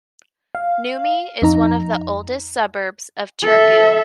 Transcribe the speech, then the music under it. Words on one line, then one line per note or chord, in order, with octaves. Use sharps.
Nummi is one of the oldest suburbs of Turku.
F5
F2 D#4 A#5
A4 E5